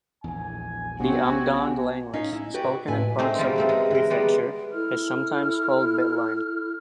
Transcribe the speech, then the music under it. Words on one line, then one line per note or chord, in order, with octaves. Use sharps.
The Amdang language, spoken in parts of the prefecture, is sometimes called "Biltine".
A#1 E2 G#5
B1 A3 B3 C4 D4 F#4 G4
C#4 D#4 D#5 F5
E4
F#4 G4 B4 D5 G5
F2 A2 B4 G#5
A3 C4 C#4 D#4
F3 G3 G#3 A#3 F4 G4
E3 A3 C4
G#3
E3 A#4
G3 G#3 B3 D5
E4 A4 F6